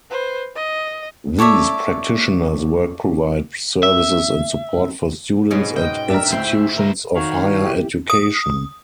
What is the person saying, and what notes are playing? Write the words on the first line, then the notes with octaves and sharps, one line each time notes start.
These practitioners work provide services and support for students at institutions of higher education.
B4 C5
D#5
A4 C#5 D5 E5
E5
G#2 B2 B3 C#4 G#4
D#5 G5
D4 A#4 E5
D2 A2 C4 C5
A#4 C5
D#3 F#4 C#5 F5
E4 G4
D#6